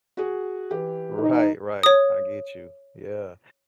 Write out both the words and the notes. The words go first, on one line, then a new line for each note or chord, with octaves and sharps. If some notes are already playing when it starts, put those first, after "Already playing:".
Right, right, I get you, yeah,
F#4 G#4
E3 G4
D#4
C#5 D#6